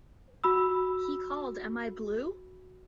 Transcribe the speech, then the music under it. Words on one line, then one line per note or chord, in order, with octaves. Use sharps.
He called Am I Blue?
F#4 B5 E6